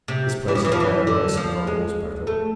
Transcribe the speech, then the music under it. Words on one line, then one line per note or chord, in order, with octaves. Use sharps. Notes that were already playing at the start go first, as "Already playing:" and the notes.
This place is bad medicine for a horse battle.
C3
E3
F3
E3
F3
E3
D3
F3
G#3
A3